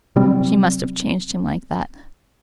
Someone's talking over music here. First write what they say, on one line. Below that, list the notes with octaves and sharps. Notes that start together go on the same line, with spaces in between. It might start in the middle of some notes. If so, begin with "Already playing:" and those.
She must have changed him like that.
C3 F#3 G3 C4